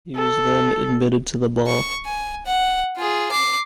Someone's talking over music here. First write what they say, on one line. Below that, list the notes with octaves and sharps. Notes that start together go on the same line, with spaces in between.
He was then admitted to the bar.
A4
C#6
G#5
F#5
F4 G#4
D6 C7